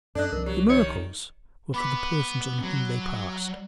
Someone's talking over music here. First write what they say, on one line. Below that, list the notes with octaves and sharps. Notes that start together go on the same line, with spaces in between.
The miracles were for the persons on whom they passed.
F#2 D4 A4 D5 D#5 F#6
C2 F3 A#4
F#3 G4
D#3 C#5
B3 B5 D6 B6
F#3